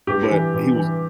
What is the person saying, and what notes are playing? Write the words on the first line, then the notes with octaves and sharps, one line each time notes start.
but he was
G2 G4
E3
G2
E3